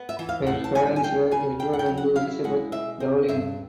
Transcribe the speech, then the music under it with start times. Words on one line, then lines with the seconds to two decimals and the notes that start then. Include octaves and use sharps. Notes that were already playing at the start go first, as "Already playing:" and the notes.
Her parents were Edward and Elizabeth Dowling.
Already playing: B3
0.09 E5
0.19 E3
0.29 F5
0.47 A2 F#5
0.64 A5
0.75 G3 G#5
0.96 G#5
1.03 A#3 G5
1.31 C#3 G#5
1.59 E2 G5
1.73 F#5
1.79 G5
1.88 F#3
1.97 F#5
2.16 E4 F5
2.44 G#3 F#5
2.72 B2 E5
3.00 C4
3.28 G2 E5